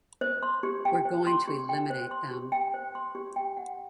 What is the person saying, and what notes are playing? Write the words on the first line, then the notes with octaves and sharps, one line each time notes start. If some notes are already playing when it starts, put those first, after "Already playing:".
We're going to eliminate them.
C5
C6
G4
G5
C5
C6
G4
G5
C5
C6
G4
G5
C5
C6
G4
G5
F#5